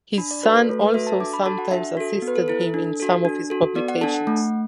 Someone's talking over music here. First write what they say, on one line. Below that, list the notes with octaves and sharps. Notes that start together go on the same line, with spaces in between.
His son also sometimes assisted him in some of his publications.
D4 B5
D5
F#4 A4 B4
A4
A3 A4
B4
F#4 A4 E5
A5
D4 D6
B5
F#4 A4 A5
F#5
D4 E5
F#4 A4
B3
B4
A4
E4 A4
A4
D4
F#4 A4
D4
F#4 A4
B3 D5
F#5
D4 A4 A5
F#5
A3